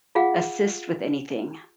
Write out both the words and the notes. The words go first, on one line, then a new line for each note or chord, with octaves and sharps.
assist with anything?
F4 G#4 F5 F#5